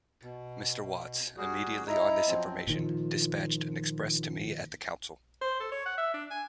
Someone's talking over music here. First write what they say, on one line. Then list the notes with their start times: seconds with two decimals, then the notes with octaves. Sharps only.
Mr. Watts, immediately on this information, dispatched an express to me at the council.
0.23 B2
1.37 G3 F#4 G#4
1.87 E4 D#5 A#5
2.27 F3 F#3 C4
2.67 A#2 D#3 F3
5.42 C5
5.60 A4
5.72 C#5
5.86 F#5
5.98 E5
6.14 D4
6.31 G#5